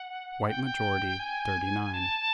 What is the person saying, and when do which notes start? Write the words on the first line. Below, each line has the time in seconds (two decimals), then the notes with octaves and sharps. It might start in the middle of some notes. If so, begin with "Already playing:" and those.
White majority, thirty-nine.
Already playing: F#5
0.46 G5
0.64 G5
1.19 G#5
1.94 A5